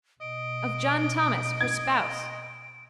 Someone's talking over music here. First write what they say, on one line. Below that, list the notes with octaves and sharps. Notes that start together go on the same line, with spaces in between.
Of John Thomas, her spouse.
B2 D#5 D7
G#6